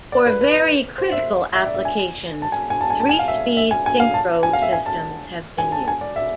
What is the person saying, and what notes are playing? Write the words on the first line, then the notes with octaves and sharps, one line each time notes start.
For very critical applications, three-speed synchro systems have been used.
D5
B4
B4
C5
E5
E5
D5
E5
G#5
A5
G#5
G#5
A5
G#5
A5
G#5
F5
E5
E5
G#5
G#5
F5
A5
G#5
F5
E5
G#5
A5
G#5
A5
G#5
D5
E5